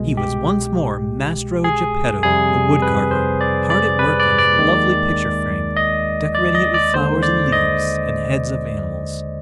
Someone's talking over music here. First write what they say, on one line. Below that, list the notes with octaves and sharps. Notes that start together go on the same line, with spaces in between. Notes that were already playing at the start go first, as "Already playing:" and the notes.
He was once more Mastro Geppetto, the wood carver, hard at work on a lovely picture frame, decorating it with flowers and leaves, and heads of animals.
Already playing: C2 B2 G#3
G4
G#4
F2 C3 G3 G#4
B4
C5
D5
D5
B4
D5
D5
D#2 D#3 G#3
D#5
D5
D#5
D5
D#2 D3 G#3 C5
D5
D#5